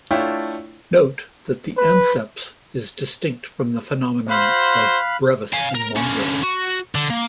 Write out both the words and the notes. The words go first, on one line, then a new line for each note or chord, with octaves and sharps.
Note that the anceps is distinct from the phenomenon of "brevis in longo".
A3 D4 E4 F4 C#5 G5
B4
F#4 C5 F5 B5 F#6
F5 G#5
A#4
D3 C#4
F#4
D3
A#3